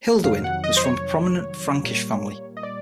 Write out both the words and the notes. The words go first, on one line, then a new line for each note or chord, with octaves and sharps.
Hilduin was from a prominent Frankish family.
F2 C3 D#3 F#3 F5
F#5
D#5
C5
C#5
A#2 G3 A#3
D#5
D5